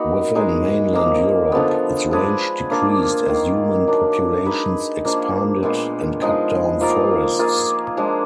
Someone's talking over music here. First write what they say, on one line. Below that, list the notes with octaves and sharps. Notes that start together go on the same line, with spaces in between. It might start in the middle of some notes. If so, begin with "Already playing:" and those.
Within mainland Europe, its range decreased as human populations expanded and cut down forests.
Already playing: A#3 D#4 F#4 B4
G#3 D#4 G#4
F3 A#3 D#4
D3 F3 B3
G#3 D4 G#4 B4
A#3 D4 F4
D#3 A#3 F4
F#3 A#3 D4
G#3 D#4 G#4 B4
F3 A#3 D4 G#4
A#2 G#3 B3 F4
F3 G#3 D#4 G#4
F3 A#3 F4 A#4
A#3 F4 G#4
F3 G#3 D4